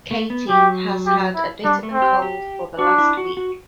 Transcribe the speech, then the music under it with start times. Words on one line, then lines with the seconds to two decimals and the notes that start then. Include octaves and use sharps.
Katie has had a bit of a cold for the last week.
0.11 A3
0.30 B3
0.49 F#3 G4
1.06 G4
1.35 E4
1.64 G3 D4
1.83 A3
1.93 C4
2.02 G4
2.22 G4
2.79 D4 F#4
2.98 E4
3.17 F#4
3.37 F#4